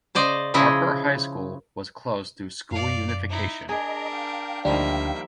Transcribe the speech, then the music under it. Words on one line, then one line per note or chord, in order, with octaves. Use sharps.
Harper High School was closed through school unification.
C#3 C5 D5 D#5
C#3 F3 E4 G#4 D#5
F#2 D5 F5
D#4 E4
D4 G#4 A#4 D#5 A#5
F5 G5
D2 D#3 F3 G3 A#3 D4 E5